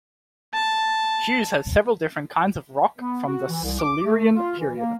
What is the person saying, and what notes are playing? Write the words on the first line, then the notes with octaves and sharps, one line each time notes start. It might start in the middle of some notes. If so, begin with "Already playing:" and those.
Hughes has several different kinds of rock from the Silurian period.
A5
B3
F#4
E3
C2
D6
A3
F4
E3
A#3